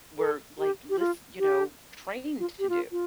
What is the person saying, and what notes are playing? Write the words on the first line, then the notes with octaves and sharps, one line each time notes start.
were, like, lis you know, trained to do.
A4
G4
G4
F4
G4
F4
G4
F4
F4